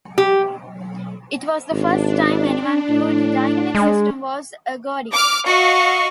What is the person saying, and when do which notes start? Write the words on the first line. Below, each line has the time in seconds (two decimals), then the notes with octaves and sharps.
It was the first time anyone proved a dynamic system was ergodic.
0.18 G4
1.71 G#1 D4
2.89 A2
3.75 G#3
5.11 D6 F6
5.46 F#4 D#5 F5 C#6